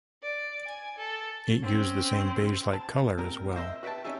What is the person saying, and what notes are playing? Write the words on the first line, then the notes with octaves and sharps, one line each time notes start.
It used the same beige-like color as well.
D5
G#5
A4
C4 C#4
A5
A#2 C4 A#4
C5 D#5 E5 C6
F#4 B4 E5 G5 A5
C4 C#4 D#4 G4 G#4 E5